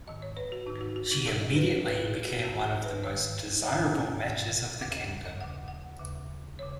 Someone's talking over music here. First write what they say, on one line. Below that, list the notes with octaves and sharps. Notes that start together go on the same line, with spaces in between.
She immediately became one of the most desirable matches of the kingdom.
G#2 D#3 D#5
C#5
B4
F#4
G#2 D#3 D#4
F#4
F#4
D#4
G#2 D#3 G#4
D#5
G#4
B4
G#2 D#3 B4
G#4
F#4
G#2 D#3 F#4
G#4
B4
G#2 D#3 C#5
G#2 D#3 D#5
G#2 D#3
D#2 C#3 F#5
D#5
F#5
D#5
D#2 C#3 F#5
F#5
D#2 C#3
C#3 C#5